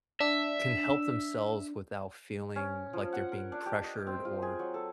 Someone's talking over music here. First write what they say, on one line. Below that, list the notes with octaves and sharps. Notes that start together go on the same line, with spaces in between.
can help themselves without feeling like they're being pressured or,
D4 E5
C#4
F3
F#5
A#4
D4
G4
D#5
C4
F4
G#4
F#3
A4